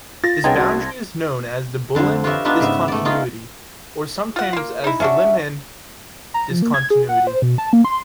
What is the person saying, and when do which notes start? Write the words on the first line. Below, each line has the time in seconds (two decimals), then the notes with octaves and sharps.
This boundary is known as the Bullen discontinuity, or sometimes as the Lehmann discontinuity.
0.24 F4 A6 A#6
0.44 C2 C#3 B3 D#4 G5 A5 C6 G#6
0.57 F#4
1.95 F2 D3 C5 G#5
2.24 F4 G4 B4 C#5 D#5 E5
2.45 B3 D4 D#4 F4 B4 E5
2.60 G#2 C#3 B3 E5
2.88 A3 D5
3.05 D#4 F4 G#4
4.36 F4 F#5
4.53 A#3 F4
4.84 D#4 E4
5.00 C#4 D4 F#4 E5 F#5
6.34 A#5
6.50 F3
6.62 A#3
6.74 G#6
6.90 G#4
7.09 F#5
7.27 C5
7.42 B2
7.58 A5
7.73 A#3
7.85 C6